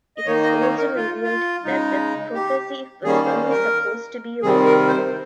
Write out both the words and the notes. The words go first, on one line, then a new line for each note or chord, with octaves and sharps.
It is also revealed that The Prophecy was only supposed to be a warning.
D#5
D#3 A#3 D#4 C#5
D#5
C#5
A#4
F4
F4
C#3 G#3 D#4
G4
D#3 G3 A#3 C#4 G#4
C5
A#4
C3 D#3 G3 C4 G#4
A#4
C5